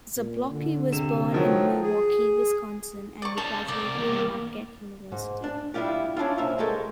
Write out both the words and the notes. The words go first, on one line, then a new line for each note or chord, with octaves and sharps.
Zablocki was born in Milwaukee, Wisconsin and he graduated from Marquette University.
A#2
D3
C3 E7
D#3 F3 F#3
G#4
D5 C#6
C#3 G3 A5
C2 D5
E2 A2 A#3
G#2
D4
G3 D4 E4 F4 G4
C#4 D4 E4 F4
C2 A#2 C#5 E5 A#5
G#3 A3 G4 A4 A#4